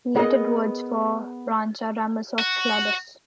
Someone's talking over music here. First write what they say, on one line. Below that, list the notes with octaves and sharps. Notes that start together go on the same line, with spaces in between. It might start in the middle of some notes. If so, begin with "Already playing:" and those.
Latin words for branch are "ramus" or "cladus".
B3 G#4 A#4 D#5
F#4